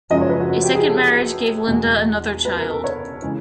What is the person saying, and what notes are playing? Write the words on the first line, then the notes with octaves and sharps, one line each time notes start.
A second marriage gave Linda another child.
F#2 C#3 F3 G#3 D#5
C#5
B4
F#4
F#4
G4
G#4
A4
E2 B2 G#3
B4
A#4
A4
C#5
C#3 E3 G#3